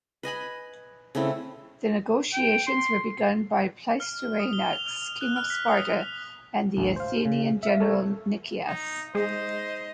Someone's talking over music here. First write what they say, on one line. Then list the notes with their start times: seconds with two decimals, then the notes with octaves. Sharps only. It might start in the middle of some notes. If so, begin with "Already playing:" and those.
The negotiations were begun by Pleistoanax, King of Sparta, and the Athenian general Nicias.
0.23 B4 D#5 G#5 B5
1.15 C#3 A3 C4 E4
2.33 G5
2.67 C6
4.00 F6
4.39 D#6
4.53 G7
4.73 F7
4.86 F6
5.21 F#6
5.36 F6
5.50 B6
5.68 D#6
6.77 A1 D2
6.96 C5 F5
7.25 C#3
7.63 E5 F5
7.80 A3 A4 A#4 C#5
8.67 D#4
9.15 G#3 D#4 G#4 C5 D#5